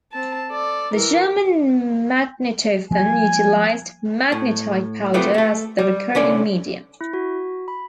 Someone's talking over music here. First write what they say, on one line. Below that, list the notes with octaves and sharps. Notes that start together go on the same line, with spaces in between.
The German magnetophon utilized magnetite powder as the recording medium.
C4 A5
A4 D5
E3 A#4
F3 G3 A#3 G#5
A2
A3 B3 C4 F4 G4
A3 A4
G3
C2 D3 C#4 D5
E4
F#4
B5